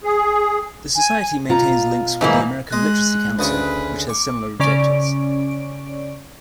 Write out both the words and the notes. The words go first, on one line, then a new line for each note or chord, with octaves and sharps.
The Society maintains links with the American Literacy Council, which has similar objectives.
G#4
G#5
B2 F4 A#5
G#2 E3 A#3
G#3 F#6
D2 C#3 B4 C#6
C#6 D6
C#3 C#4 D5 D7